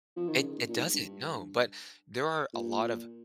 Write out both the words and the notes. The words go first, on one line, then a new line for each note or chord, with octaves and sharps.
It it doesn't, no, but there are a lot of
F3
D#3
C#3
A#2
A#2
G#2
G2
A#2